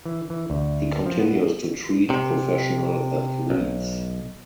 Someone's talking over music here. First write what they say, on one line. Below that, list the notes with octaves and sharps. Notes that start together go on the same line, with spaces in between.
He continues to treat professional athletes.
E3
E3
D2
F3
B3
C3
B1